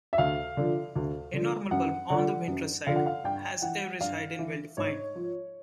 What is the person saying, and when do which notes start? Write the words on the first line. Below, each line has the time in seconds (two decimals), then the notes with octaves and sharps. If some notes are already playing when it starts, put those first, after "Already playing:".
A normal bulb on the ventral side has average height and well-defined.
0.13 E5
0.18 D2 F5
0.57 D3 F3
0.96 D2
1.33 D3 F3
1.71 F#2 F#5
2.10 D3 F3 F#5
2.47 F#2
2.87 D3 F3 F5
2.96 F#5
3.06 F5
3.24 G2 G5
3.62 E3 F#5
4.00 G2 F5
4.39 E3
4.77 G#2 C#5
5.15 F3